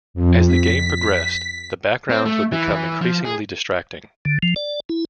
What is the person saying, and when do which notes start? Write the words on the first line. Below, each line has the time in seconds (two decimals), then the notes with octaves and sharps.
As the game progressed, the backgrounds would become increasingly distracting.
0.14 F2
0.46 B6
2.10 C4
2.26 A3
2.52 E3
2.74 E3
3.02 F3
3.25 G#4
4.25 D3
4.43 F3
4.56 D5
4.89 E4